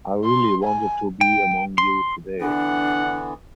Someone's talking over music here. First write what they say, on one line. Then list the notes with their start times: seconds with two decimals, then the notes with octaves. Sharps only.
I really wanted to be among you today.
0.24 C6
0.64 G#5
1.21 G5
1.78 C6
2.40 D3 E3 B3 D4 F#5